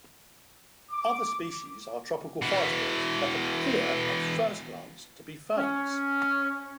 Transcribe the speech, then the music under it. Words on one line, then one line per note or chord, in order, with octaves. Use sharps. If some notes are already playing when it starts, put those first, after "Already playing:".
Other species are tropical forest plants that appear at first glance to be ferns.
D6
B2 E3
C#4